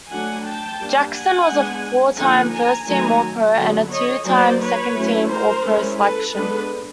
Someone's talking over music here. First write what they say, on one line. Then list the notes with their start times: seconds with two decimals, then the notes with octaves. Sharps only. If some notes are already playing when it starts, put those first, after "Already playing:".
Jackson was a four-time first-team All-Pro and a two-time second-team All-Pro selection.
0.11 F#3 A3 D4 F#5 G#5
0.45 G5 A5
0.80 G3 A#3 D4
1.14 F#5 G#5
1.50 G#3 B3 D4
2.18 D3 F3 A#3 D#4 F#5 G#5
2.53 G#5 A#5
2.87 D#3 F#3 A3 G#5 A#5
3.57 D3 F#3 B3
3.91 C#5 D#5
4.26 F#3 A#3 D#4 C5 D5
4.60 B4 C#5
4.95 F#3 A3 C#4 E4
5.30 A#4 C5
5.64 G#3 C#4 E4
5.99 A4 B4
6.33 G#3 B3 D4 A4 B4